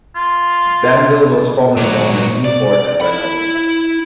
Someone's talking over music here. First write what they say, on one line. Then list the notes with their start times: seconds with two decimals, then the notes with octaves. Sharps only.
Danville was formerly known as Newport and Red House.
0.16 F4
1.77 A#2 F#3
2.45 D5
3.01 E4 B5